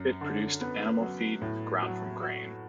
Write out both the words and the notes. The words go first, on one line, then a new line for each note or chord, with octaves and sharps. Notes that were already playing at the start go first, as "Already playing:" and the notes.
It produced animal feed ground from grain.
Already playing: F#2
D3
B3
F#3
A2
F#3
F#4